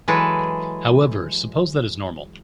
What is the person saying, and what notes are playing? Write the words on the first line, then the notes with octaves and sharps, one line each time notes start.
However, suppose that is normal.
E3 F#3 G#3 G#4 A4 B4